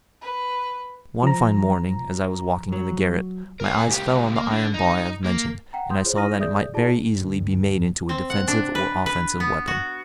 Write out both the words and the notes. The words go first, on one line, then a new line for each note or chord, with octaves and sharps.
One fine morning, as I was walking in the garret, my eyes fell on the iron bar I have mentioned, and I saw that it might very easily be made into a defensive or offensive weapon.
B4
F3 A#5
F#3
A#4 G#5
C#2 G4
A#3
D3
D#4
A#3
F#5 G5 A#5
C6 D#6 G6
F4 G#4 C5 C#5
E4 C#6 D#6 F6 A#6 D#7
G#4 D5 E5 D#6 G6
E4 F4 G#4 D5 A5
D2 G2
C4
F#5
D4
B4
B4
B3
F#4